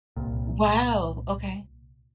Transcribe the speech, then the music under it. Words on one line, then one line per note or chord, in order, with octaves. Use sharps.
Wow, okay.
C2 A#2